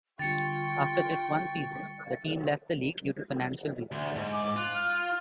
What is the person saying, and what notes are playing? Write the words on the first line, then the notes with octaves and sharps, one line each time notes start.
After just one season, the team left the league due to financial reasons.
D3 G3 F4 G5 C#6 A6 C#7
D2
G#2
D6
F4 F#6
F6